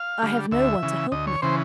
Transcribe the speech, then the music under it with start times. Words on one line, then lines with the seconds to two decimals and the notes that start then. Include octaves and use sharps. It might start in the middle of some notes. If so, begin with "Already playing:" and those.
"I have no one to help me."
Already playing: F5
0.22 D3 G3
0.51 D2 E5
0.83 C#3 E3
1.12 D2 D#5
1.27 C#5
1.42 C#3 E3 C5